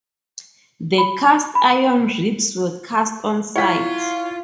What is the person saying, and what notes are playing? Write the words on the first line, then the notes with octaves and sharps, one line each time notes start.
The cast iron ribs were cast on site.
B5
B5
E4 F4 C#5 F#5 B6